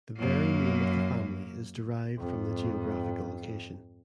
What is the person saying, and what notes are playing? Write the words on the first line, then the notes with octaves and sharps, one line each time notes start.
The very name of the family is derived from the geographical location.
F#2 A#3
F2 G#2